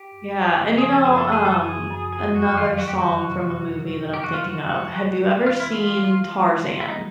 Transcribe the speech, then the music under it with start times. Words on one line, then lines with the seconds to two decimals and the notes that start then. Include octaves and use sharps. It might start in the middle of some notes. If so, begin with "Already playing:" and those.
Yeah, and, you know, um, another song from a movie that I'm thinking of, have you ever seen "Tarzan"?
Already playing: G4
0.12 F#2
0.35 F#2
0.56 C#3
0.78 F3 G#4
0.93 A4
1.01 F#2 G#4
1.18 A4
1.24 F#2
1.32 G#4
1.45 F#2 A4
1.59 G#4
1.68 F#2
1.91 F#2
2.12 F2 G#4
2.34 F#3 F#4
2.57 D#3 F4
2.79 F#3 F#4
2.88 G4
2.95 F#4
3.02 D#3
3.24 C3
3.46 C3
3.68 C3
3.91 C3
4.13 F2 G4
4.24 F#4
4.34 F#3 F4
4.44 F#4
4.58 F#3
4.80 G#3
5.02 G#3
5.24 E3
5.46 E3 F4
5.60 E4
5.69 E3 F4
5.91 E3
6.14 G#3
6.36 G#3
6.58 C3
6.80 E3 E4
6.88 D#4